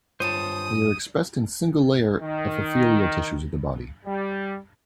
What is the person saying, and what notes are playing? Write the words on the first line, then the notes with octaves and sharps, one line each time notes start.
They are expressed in single layer epithelial tissues of the body.
G2 F4 C5 C#5 A5 D#6 D#7
D#3
G3